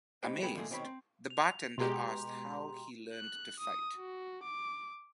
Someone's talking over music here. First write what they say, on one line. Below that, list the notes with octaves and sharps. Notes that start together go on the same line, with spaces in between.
Amazed, the bartender asks how he learned to fight.
A3 D#4 G4 B4 C5 G5
C2 B3 G#4 B4 G5 B5
D#2 A#2 A3 G#4
B2 D#3 C4 C#5 A#5 B5
C4
F7
B2 G#3 G4 A#5 C6
F#6
D#6
F#4
D6